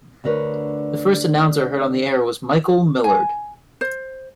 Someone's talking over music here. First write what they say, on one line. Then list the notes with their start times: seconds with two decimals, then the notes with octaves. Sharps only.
The first announcer heard on the air was Michel Millard.
0.24 D2 D3 A#4 B4 C#5
3.04 G#5
3.81 C5